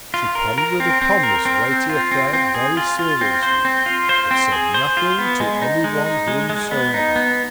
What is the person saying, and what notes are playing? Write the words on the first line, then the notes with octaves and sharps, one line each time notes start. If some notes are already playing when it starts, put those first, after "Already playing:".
She ponder'd upon this weighty Affair very seriously; but said nothing to any one whomsoever.
F4
A#4
A#4
C4
C4
A#4
C4
C4
F4
C4
C4
G#4
F4
F4
C4
C5
C4
F4
C5
C4
G#4
C5
F4
B3
G#3
D#4
G#3
D#4
G#3
G#3
B3
D#4
B3